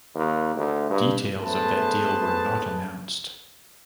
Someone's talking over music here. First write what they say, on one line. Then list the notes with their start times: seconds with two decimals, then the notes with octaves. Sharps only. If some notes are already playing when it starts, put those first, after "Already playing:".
Details of that deal were not announced.
0.15 D#2
0.56 D2
0.90 G2
1.41 A3 B3 G#4 B4 C5 A5